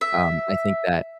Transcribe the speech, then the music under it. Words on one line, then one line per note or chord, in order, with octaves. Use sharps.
um, I think that
E5